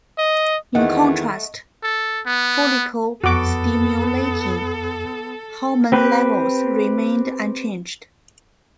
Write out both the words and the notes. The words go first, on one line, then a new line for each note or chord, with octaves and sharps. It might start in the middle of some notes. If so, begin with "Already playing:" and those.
In contrast, follicle-stimulating hormone levels remained unchanged.
D#5
E2 D#3 A3 D#5 F#5
A4
B3
F2 B3 F#4 A4 D6
C4 G4 B4